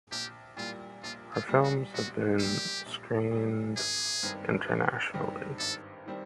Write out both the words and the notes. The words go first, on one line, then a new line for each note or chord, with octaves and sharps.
Her films have been screened internationally.
A#1 G4
A#2 G3 F4
A#1 F4
F4
A#2 G3
F#4
A#1 F#4
A#2 G3 G4
A#1
A#2 G3
G#1 G#4
G2 D#3 G3 C4
G#1
G2 D#3 G3 C4
G#1 A4
D#3 G3 C4